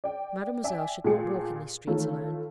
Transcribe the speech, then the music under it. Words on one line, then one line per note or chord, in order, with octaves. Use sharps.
Mademoiselle should not walk in these streets alone.
D5 G5
D5 E5 G5 G#5
A#2 A3 G4 G#4 C#7
D#3 E3 A3 F4 A4 C#5